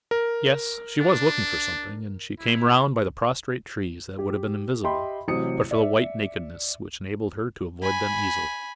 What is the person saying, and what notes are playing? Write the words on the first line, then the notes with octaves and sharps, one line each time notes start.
Yes, she was looking for something; and she came round by the prostrate trees that would have been invisible but for the white nakedness which enabled her to avoid them easily.
A#4
D4
E4
G4
G4 D#5 E5 G5 B5 C6
A1 C3 F#3 D#6 C#7
D5 E5
G#5 B5